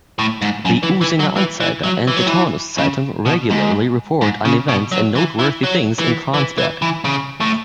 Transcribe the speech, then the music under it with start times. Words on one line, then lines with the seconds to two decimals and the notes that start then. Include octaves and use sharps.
The “Usinger Anzeiger” and the “Taunus-Zeitung” regularly report on events and noteworthy things in Kransberg.
0.19 A2
0.41 G#2
0.65 F#2
0.83 E3
1.01 E3
1.19 F#3
1.36 E3
1.60 E3
1.84 F#3
2.08 E3
2.17 F#3
2.27 E3
2.78 C#3
3.25 B2
3.50 G#2
4.21 G#2
4.45 C#3
4.68 B2
4.92 F#3
5.15 E3
5.39 E3
5.63 F#3
5.98 E3
6.34 E3
6.58 E3
6.82 E3
7.05 C#3
7.41 A2